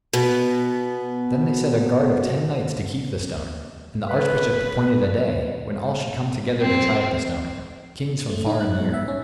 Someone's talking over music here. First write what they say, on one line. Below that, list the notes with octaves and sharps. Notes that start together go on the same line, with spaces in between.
Then they set a guard of ten knights to keep the stone, and the archbishop appointed a day when all should come together to try at the stone,--kings from far and near.
B2 B3
B4
C4
A3
D#4
F#6
B2
E5
C#4